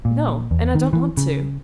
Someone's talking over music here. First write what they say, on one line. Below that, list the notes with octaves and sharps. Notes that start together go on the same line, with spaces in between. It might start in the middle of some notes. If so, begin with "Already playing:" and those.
"No, and I don't want to."
A#2
E2
D#3
E3
C#3